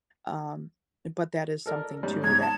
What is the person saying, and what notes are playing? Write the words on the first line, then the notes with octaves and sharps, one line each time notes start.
um, uh, but that is something, too,
A4 A#4 D5
G#2 G3 C#4
G#2 G#6
A5